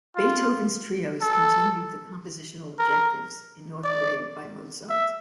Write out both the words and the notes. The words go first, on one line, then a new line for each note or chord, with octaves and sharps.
Beethoven's trios continued the compositional objectives inaugurated by Mozart.
F4
A4
A#4
D5
E5